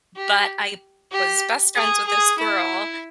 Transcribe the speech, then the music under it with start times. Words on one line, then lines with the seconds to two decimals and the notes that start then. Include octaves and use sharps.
but I was best friends with this girl,
0.16 G4
1.11 G4
1.75 G#4
2.06 G#4
2.38 E4